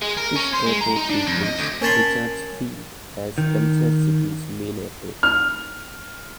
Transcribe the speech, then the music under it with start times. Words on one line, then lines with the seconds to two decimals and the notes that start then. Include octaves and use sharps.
This airport replaced Richards Field as Kansas City's main airport.
0.02 G#3
0.17 A#4
0.36 C#4
0.53 C5
0.66 G#3
0.81 A#5
0.96 D#4
1.10 D4
1.27 F2
1.43 D#5
1.57 D2
1.81 C#4 A#4 C#5 A5 B5 C6
3.38 D#3
5.23 F6